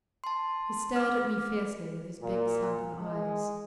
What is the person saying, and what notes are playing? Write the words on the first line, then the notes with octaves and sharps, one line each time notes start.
He stared at me fiercely with his big sunken eyes.
A5 C6
D6 F6
A#2
G#3